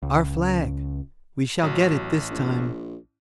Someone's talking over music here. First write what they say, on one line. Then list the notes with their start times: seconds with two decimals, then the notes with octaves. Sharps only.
"Our flag--we shall get it this time."
0.03 C#2
1.63 A1 F#3
2.30 A#1